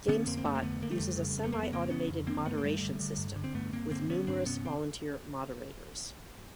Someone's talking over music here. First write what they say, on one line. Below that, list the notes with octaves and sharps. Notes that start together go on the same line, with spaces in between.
GameSpot uses a semi-automated moderation system with numerous volunteer moderators.
D3 B3 C#4
F2 A#3 C4
C4
F2 A3 B3
A#3
D3 A3 B3
D3 A#3
G3 A3
F2
C#3
F2
A3
F2 A#3
B3
C#3 A#3 C4
C#3 B3 C#4
F2
D3 A#3 C4
G2 A3 B3
A#3
G2 G3 A3
D3
D3
G2
D3
C4
G2 A3 B3
G2 A#3 C4
D3 A#3 C4
D3 B3 C#4
G2 C4 D4
C3 B3 C#4
C4